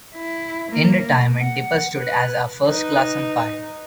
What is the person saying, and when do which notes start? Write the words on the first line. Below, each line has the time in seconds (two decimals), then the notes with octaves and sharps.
In retirement, Dipper stood as a first-class umpire.
0.15 E4
0.71 A#3
1.40 F#5
1.99 B4
2.67 D#4 B4